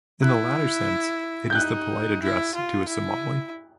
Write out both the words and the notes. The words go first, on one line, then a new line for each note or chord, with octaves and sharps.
In the latter sense it is the polite address to a Somali.
E4 F#6
G6
D#4 F#6
E4
F4
E4